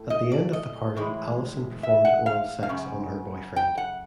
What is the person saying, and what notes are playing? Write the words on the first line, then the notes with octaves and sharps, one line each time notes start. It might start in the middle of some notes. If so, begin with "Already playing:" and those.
At the end of the party, Allison performs oral sex on her boyfriend.
Already playing: A2
D#5
D5
D#5
A2 E3 G#3
E5
F#5
F5
F5
F#2 C#3
G5
F#5